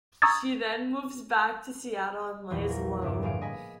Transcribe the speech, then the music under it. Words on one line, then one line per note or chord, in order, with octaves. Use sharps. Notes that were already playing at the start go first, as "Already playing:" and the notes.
She then moves back to Seattle and lays low.
A#5 C#6 D#6 E6 G#6 A6
A#1 E2 E3 F3
A#4
C#2 G2 E5 D6
G1 A2 G3 G#4 F5 D7
D#5 G#5 B5